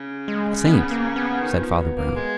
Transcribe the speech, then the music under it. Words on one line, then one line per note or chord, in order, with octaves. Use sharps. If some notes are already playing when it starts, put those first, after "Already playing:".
"A saint," said Father Brown.
Already playing: C#3
G#3
B3
A#3
B3
D#3
F3
F#3
A#3
G#3